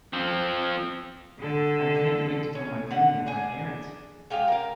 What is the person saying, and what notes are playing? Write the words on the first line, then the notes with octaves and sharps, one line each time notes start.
I can't wait to tell my family and my parents.
F3 C4
D3 A4
C#4
D3 F#5
D4 G#4
G#3 F4 G4 F5
A#4 F5